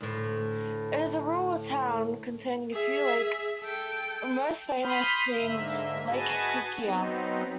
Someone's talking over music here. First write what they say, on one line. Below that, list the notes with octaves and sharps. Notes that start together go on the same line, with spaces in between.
It is a rural town containing a few lakes, most famous being lake Kukkia.
D2 A2
G#4 E5
A4 G5
B5 C6 D#6 F6 G6
G#2 D3 A#3 E5
F#4 G#4 B4 D#5 G#5 A5
F#3 B3 C4 D#4